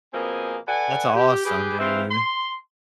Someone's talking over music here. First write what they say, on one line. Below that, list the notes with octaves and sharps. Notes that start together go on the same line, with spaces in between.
That's awesome, dude.
B2 F3 A#3 C4 G#4 G#5
A4 B4 D5 F#5 G#5
G4
G4 G#4 B4
G#2 E3 C4 E5 F5 C6
C6